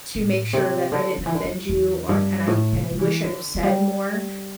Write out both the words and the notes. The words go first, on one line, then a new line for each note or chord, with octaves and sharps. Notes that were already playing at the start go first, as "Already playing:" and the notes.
to make sure that I didn't offend you or and I and I wish I'd have said more."
A2
C3
D3
D3
E3
D3
E2
E2
G2
A2
C3
G3
E3
D3
E3
G3